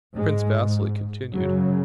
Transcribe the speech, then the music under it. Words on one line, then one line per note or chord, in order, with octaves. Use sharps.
Prince Vasili continued.
G#2 G#3
F#2 C#3 F#3